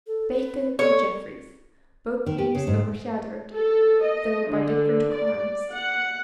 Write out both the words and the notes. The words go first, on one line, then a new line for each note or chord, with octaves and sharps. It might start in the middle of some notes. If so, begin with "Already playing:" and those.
Bacon and Jeffreys! both names overshadowed, though by different crimes.
A4
B4
A4 C#5
D#3
G4
C#3
G#2
A4
D#5
D3
D5
F#5